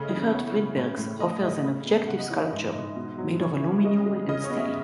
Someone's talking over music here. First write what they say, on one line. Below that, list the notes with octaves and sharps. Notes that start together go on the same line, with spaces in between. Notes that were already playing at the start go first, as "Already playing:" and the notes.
Richard Friedberg's offers an objective sculpture made of aluminum and steel.
Already playing: C#3 A3 D#5
E3
B3 C#5
C#3
A2
A2
A3 D#5
A2 E5
C#3
B3
C#3 F#5
D#5
E3 C#5
E5
G#2 D#5
G#2
B2
F#3
E3 C#5
C#3
G#3 D#5
G#3
C#3 D#5
C#5
B3
E5